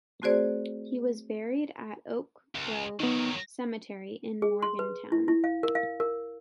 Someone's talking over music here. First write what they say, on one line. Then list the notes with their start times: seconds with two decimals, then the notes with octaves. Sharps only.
He was buried at Oak Grove Cemetery in Morgantown.
0.22 A3 C4 F#4 G#4 C5 D5
2.55 C#2
3.00 D#3 F#3 B3 D#4
4.42 G#4
4.63 C6
4.79 B4
5.12 E4
5.28 E4
5.44 F5
5.63 A#4
5.75 F5
6.00 A#4